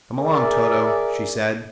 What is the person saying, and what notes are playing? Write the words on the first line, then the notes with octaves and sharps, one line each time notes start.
"Come along, Toto," she said.
G#4 A#4 D5 E5